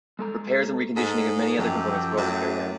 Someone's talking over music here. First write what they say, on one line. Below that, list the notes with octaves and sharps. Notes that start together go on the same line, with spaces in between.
Repairs and reconditioning of many other components were also carried out.
G#3 A4 A#5
G#2 A4
F#2 F3 F4 G4 A4 G5
F#2 A2 F#3 A3